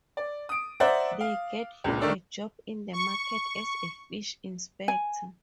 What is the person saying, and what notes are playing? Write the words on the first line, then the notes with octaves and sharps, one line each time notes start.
They get him a job in the market as a fish inspector.
D5
D#6 D7
C5 D5 E5 F#5 A#5
F5
C#2 A#2
D#3 A3 D4 E6
C#6
G#5